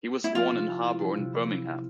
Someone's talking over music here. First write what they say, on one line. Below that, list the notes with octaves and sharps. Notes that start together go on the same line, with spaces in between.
He was born in Harborne, Birmingham.
E4
F3 F4
C3
E4
C4
F3
C3
E4
C4
F3